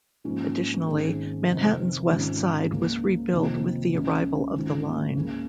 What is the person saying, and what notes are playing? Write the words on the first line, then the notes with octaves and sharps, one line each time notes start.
Additionally, Manhattan's West Side was rebuilt with the arrival of the line.
G#2 F3 A#3 C#4 F4
G#1 G#2 D#3 C#4 G#4
F1 F2 D#3
G#1 G#2 G#3 C#4 F4
C#2 C#3 A#3
F1 F2 D#3 A#3 F4
C#2 C#3 G#3 C#4
G#1 G#2 D#3 C#4 F4
C#2 C#3 A#3 C#4